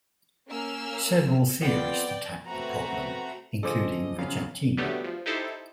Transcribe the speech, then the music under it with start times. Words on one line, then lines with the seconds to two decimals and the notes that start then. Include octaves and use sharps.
Several theorists attacked the problem, including Vicentino.
0.49 A#3 C#4 E6 F6
1.62 F3 B3 C4 D5 G5
2.46 A3 C4 F#4 B4 A#5
3.63 D3 F3 G#4 A4 C5 D#5 D6
4.18 F#2 C#3 F5
4.77 D3 F#3 G3 A3 B3 G4
5.04 F3
5.26 D#4 E4 G4 A4 C5